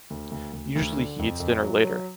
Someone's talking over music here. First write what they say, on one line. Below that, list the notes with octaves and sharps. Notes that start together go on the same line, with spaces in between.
Usually he eats dinner later.
D2
D2
D2
D2
D3
F2
F2
F#3
F#3